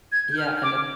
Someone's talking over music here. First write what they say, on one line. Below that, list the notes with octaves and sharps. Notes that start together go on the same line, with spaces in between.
Yeah, and the
G#6
G6
F6
D6